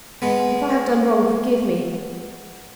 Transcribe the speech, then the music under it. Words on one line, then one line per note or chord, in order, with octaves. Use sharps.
If I have done wrong, forgive me.
G#3 B3